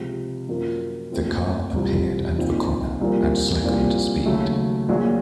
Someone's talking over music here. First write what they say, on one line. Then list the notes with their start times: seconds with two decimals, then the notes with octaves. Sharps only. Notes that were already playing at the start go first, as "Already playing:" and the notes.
The car appeared at the corner and slackened speed.
Already playing: C#2 C3 F3
0.49 F#2 F3 A#3 F4
1.12 A#2 A3 C4 F4
1.74 C2 C3 F3
2.38 A#2 F3 C4 D#4
3.01 C2 A#2 F3 A#3
3.63 C2 A#2 F3
4.26 D#2 C#3 F#3 A3
4.89 A#1 A#2 F#3